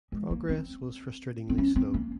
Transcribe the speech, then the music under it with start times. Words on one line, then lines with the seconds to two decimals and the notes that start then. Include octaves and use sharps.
Progress was frustratingly slow.
0.12 G#3
0.30 A#3
0.49 C4
1.49 C4
1.58 C#4
1.76 C4
1.94 A#3